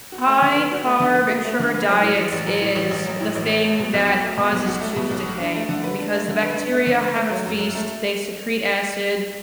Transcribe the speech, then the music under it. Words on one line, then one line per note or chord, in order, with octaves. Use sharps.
high-carb-and-sugar diets is the thing that causes tooth decay because the bacteria have a feast, they secrete acid,
F#4
A3
D3
B4
F#4
A3
D3
B4
F#4
A3
D3
B4
F#3
A2
A1
A1
F#3
A2
A1
A1
F#3
A2
A1
A1
A3
B2
B1
F#4
A3
B2
B1
F#4
A3
B2
B1
F#4
D4
A3
D3
B4
D4
A3
D3
B4
D4
A3
D3
B4
A3
F#3
F#2
F#2
A3